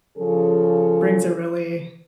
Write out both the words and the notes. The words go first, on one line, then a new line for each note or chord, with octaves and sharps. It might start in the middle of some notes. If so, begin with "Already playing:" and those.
brings a really,
C#3 F3 C#4 G#4 A4